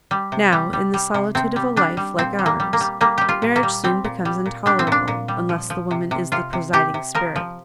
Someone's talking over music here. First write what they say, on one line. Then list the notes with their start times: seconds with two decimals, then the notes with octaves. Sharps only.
Now, in the solitude of a life like ours, marriage soon becomes intolerable unless the woman is the presiding spirit.
0.11 G3
0.32 C3
0.52 G3
0.73 G3
0.94 G3
1.14 C3
1.35 C3 C4
1.56 G3
1.77 G3 D4
1.97 G3
2.18 A#2 C4
2.39 G3
2.46 A#3
2.60 G3
2.73 A#3
2.81 G3
3.01 G3 A#3
3.18 G3 G4
3.29 F4
3.42 A#2
3.56 A#3
3.63 G3
3.84 G3 C4
4.04 A#2
4.25 G3
4.46 A#2
4.66 G3 D4
4.79 C4
4.87 A#2 D4
5.08 A#2
5.28 G3
5.49 F3
5.70 F3
5.91 C3
6.11 C3
6.32 C3 F4
6.53 C3
6.73 C3 G4
6.94 C3
7.15 F3 A#4
7.36 F3